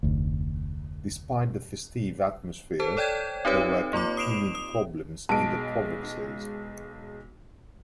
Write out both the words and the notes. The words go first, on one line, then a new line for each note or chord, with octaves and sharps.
Despite the festive atmosphere, there were continued problems in the provinces.
F1 D2
A4 C5 A5
A4 C#5 D5 G5 G6 G#6
C4 D#4 G4 B4 C#5
A#3 F4 B5 D6
D#6 C7 D7 E7 F7
D#6
B1 G#3 A5 D7